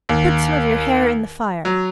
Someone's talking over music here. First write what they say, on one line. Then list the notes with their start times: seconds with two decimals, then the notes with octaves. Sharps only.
Put some of your hair in the fire.
0.09 D#2
1.65 F#3